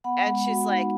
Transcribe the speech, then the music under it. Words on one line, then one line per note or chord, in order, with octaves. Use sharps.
And she's like
B3 F#5 B5
G#3
F#4
D#4